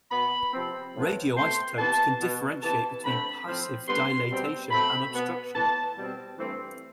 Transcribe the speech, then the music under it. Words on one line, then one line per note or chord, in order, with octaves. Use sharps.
Radioisotopes can differentiate between passive dilatation and obstruction.
B2 B3 B5
C3 F3 C4
A2 F3 B3
B2 A3 C4 C6
C3 E3 B3 A5
B2 B3
C3 E3 B3 A5
D3 A3 C4 B5
A2 F3 C4
D3 G3 B3 C6
B2 G3 C4
B2 A3 C4 B5
B2 B3
A2 E3 B3 A5
B2 G3 C4
G2 E3 A3 C4 C5